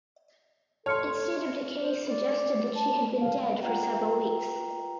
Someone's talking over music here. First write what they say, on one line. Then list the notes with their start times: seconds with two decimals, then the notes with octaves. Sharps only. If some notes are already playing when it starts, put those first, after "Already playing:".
Its state of decay suggested that she had been dead for several weeks.
0.86 A4 C#5 A5 C6 F6 C#7
1.81 C5
2.07 D5
2.75 A5
3.20 F5
3.62 F4 B4 F#5 G5 A#5